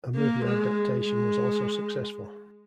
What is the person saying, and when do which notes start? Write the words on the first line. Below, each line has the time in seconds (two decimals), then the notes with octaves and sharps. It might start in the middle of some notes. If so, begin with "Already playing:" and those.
A movie adaptation was also successful.
0.16 A#3
0.45 G#3
1.04 G#3